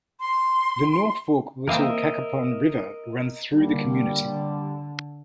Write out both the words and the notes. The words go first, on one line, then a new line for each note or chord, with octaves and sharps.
The North Fork Little Cacapon River runs through the community.
C6
E3 A#3 C4 A#4 D#5 E5
D3 G3 A#3
D3